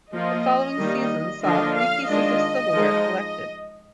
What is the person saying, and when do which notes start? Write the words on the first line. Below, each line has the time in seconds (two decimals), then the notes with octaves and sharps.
The following season saw three pieces of silverware collected.
0.13 F3 A#3 F4 D#5
0.78 D#3 G3 A#3 D#4
1.43 D3 F3 A#3 D4 F4 D#5
1.76 F5
2.08 D#3 G#3 D4 F4 D#5
2.74 F3 G#3 D#4